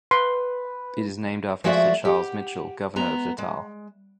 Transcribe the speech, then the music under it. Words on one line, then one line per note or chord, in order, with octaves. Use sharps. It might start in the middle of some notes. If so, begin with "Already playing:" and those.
It is named after Sir Charles Mitchell, governor of Natal.
B4 C6
F3 G#3 A3 F#4 D5 E5
G4 F#5
G#3 B3 A#5
G#3